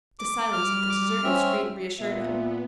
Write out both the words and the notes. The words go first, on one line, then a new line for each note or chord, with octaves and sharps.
The silence of the deserted street reassured him.
D6
G3 F6
D6
C4 C#4 E5
A#2 B3 E5